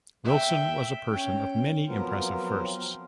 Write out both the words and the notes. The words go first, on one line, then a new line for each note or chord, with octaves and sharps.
Wilson was a person of many impressive firsts.
E5 G5
C#4 G5
F3 F#3 B3 C4 F4 A#4